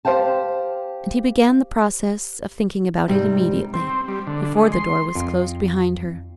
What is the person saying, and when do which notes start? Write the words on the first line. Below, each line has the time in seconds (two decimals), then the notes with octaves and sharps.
And he began the process of thinking about it immediately,--before the door was closed behind her.
0.05 G4 C5 F5 G5 A5
3.08 G#2 C3 G3
3.74 C4
4.08 G3
4.27 D3
4.42 D3
4.56 G#3
4.72 C6
5.15 F2